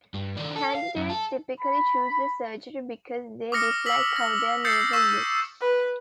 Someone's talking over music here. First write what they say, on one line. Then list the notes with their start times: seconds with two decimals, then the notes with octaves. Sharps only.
Candidates typically choose the surgery because they dislike how their navel looks.
0.14 G2
0.37 D#3 D4
0.56 A4
0.75 F5
0.96 F#2
1.09 A4
1.60 B5
3.52 D6 D#6 F6 A#6 C#7
3.86 E6 B6 F#7
4.16 A#6
4.65 D#6 E6 G6 A6 C7 C#7
4.93 C#6 E6 B6 E7
5.61 B4